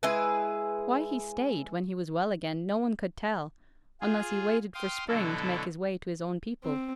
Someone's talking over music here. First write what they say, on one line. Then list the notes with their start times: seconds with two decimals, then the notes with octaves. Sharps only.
Why he stayed when he was well again, no one could tell, unless he waited for spring to make his way to his own people.
0.03 G#3 E4 G#4 B4
4.01 F4 G#4
4.74 F5 G5 C6 D#6
5.08 B2 D3 F#3 E4 A4
6.64 C4